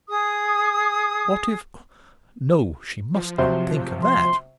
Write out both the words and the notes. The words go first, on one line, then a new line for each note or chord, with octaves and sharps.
What if--no, she must not think of that!
G#4 D#6
F3
C3 F#3 C5
C6